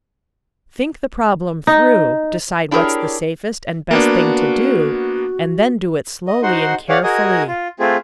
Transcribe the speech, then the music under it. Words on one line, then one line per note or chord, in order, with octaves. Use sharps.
Think the problem through, decide what's the safest and best thing to do, and then do it slowly and carefully.
D#4
D4 E4 G4 G#4 A#4 C#5
A#3 B3 D4 F#4
D#5
D#4 F#4 C5 F#5 C6
G#4 C#5 D5 F5 F#5
F#4 G#4 A#4 D#5 G#5 D#6
F4
A3 C4 F4 G#4